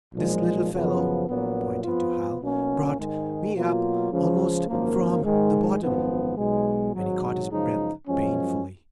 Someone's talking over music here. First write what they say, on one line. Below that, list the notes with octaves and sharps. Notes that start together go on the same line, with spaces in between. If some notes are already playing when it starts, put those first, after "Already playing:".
"This little fellow"--pointing to Hal--"brought--me up--almost--from--the bottom!" and he caught his breath, painfully.
B1 A#2 F3 G#3
F#2 C#3 F3 B3
A#1 A#2 F#3 B3
F2 F3 B3 F4
B1 B2 A#3 C#4
G#2 D#3 G#3
B2 F#3 A#3 F4
C#2 C#3 F3
G#1 F#2 F3 A#3
G#2 D#3 G#3
G#1 F#2 F3 B3
B1 B2 G#3
G#1 G#2 F#3
F#2 C#3 F3 G#3 D#4
F#2 F3 G#3 C#4